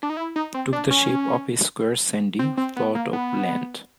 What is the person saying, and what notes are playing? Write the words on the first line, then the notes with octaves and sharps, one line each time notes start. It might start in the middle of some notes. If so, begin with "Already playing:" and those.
Took the shape of a square sandy plot of land.
D4
D#4
E4
D#4
C4
D4
C#4
C4
C4
B3
A#3
B3